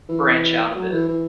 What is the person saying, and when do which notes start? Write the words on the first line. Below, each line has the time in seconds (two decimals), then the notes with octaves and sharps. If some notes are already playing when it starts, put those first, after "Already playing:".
branch out a bit.
0.09 E3
0.75 F#3
0.91 E3
1.08 E3